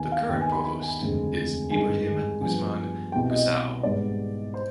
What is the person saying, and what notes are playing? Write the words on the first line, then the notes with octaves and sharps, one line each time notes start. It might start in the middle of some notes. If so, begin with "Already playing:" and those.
The current provost is Ibrahim Usman Gusau.
Already playing: D#2 D#3 B3 G#5
F5
D#2 D#3 B3 G5
G#5
B5
B5
G#5
F1 D#2 D3 G#3 C4
G#1 G2 D#3 G#3 G#5
G2 F3 B3 G#5
C2 B2 G3 C4 G5
D#5
G#1 G#2 G3 B3 D5
C5